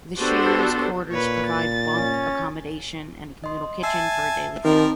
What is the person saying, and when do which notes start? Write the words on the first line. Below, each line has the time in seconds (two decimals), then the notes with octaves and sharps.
The shearers' quarters provide bunk accommodation, and a communal kitchen for a daily fee.
0.17 B3 D4 F#4 G4 A4 C5
1.11 A#2 B4 C#5
1.47 A6
1.96 C#4
3.44 D#5 C6
3.83 E5 G#5 A5 E6 C7
4.65 D#3 F3 G3 C4 D#4 A#4